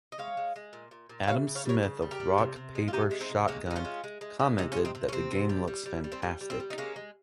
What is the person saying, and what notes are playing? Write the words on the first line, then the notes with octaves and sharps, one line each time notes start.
Adam Smith of Rock, Paper, Shotgun commented that the game looks fantastic.
D#5
G#3 C#5 F5
G#3
G#3
A#2
A#2
A#2
G5
G3 C#5 F5
C#3
C#5 F5
G3 A#4 C#5
C#3
G3
G4 A#4
G3
C3
C3
G#3
F4
C3 D#4 G4
G#3
C4 D#4
C3
G#3 A#3 C#4
G#3 D#4
C#4 F4
G#3
G#3
G#3
G#3
C3 D#4 G4
C#4 F4
C3
C4 D#4
C3
C#4
C3 C4
C3
G3
G3
G3
G3
C4
G3 A#3
G3
C4
G3
D#4
G#3 A#3 C#4
G#3